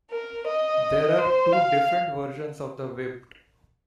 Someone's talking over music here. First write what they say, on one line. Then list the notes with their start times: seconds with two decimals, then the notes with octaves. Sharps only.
There are two different versions of the Whipped!
0.11 A#4
0.47 D#5
1.18 C5
1.53 F5